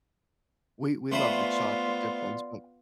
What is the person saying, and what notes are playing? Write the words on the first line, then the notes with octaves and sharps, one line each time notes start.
We we loved the chocolate chip ones, but
A3 B3 F4 B4 C5 D5 C6